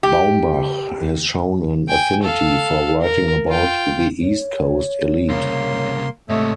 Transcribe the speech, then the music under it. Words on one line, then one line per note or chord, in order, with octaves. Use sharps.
Baumbach has shown an affinity for writing about the East Coast elite.
G4
G5 G#5
A4 F5
A#4
F4 G5
C#5
C2 C#3 A#3 C6
G#2 C3 A3 C#5 D#5 E5